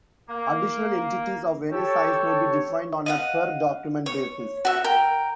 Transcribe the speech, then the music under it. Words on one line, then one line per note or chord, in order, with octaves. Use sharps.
Additional entities of any size may be defined on a per-document basis.
A#3
G4 A4 C#5
D#5 F5 F#5
C#5
F#4 E5
A#4 G5